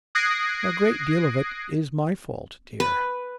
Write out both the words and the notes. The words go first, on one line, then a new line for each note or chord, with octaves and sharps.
'A great deal of it is my fault, dear.
D#6 F#6 G#6 A#6 C7 D7
B4